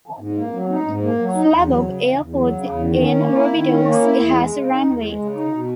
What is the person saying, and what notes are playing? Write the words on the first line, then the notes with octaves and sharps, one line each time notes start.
Flabob Airport in Rubidoux has a runway.
G#2
A#3
F#3
D#4
G#2
A#3
F#3
D#4
E2
F#3
C#3
E2
E2
F#3
C#3
E2
D#3
C#4
A#3
E4
D#3
C#4
A#3
E4
E2
G#3
C#3
D#4
E2
G#3
C#3
D#4
B2